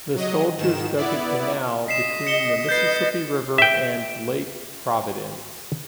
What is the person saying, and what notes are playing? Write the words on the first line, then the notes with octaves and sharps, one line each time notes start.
The soldiers dug a canal between the Mississippi River and Lake Providence.
F#3 D#5
G#2 D#3 E7
B3 E4 D5
D#5 B6 C7 E7
C#7 E7 G7
B4 D#5 G6 A6 C7
E5 G5